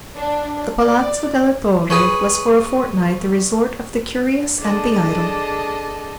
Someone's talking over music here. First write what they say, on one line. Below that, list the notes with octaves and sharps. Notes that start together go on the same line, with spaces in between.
The Palazzo della Torre was for a fortnight the resort of the curious and the idle.
D4
D5
G#4 B4 C#5
D4 G#4 A4 D#5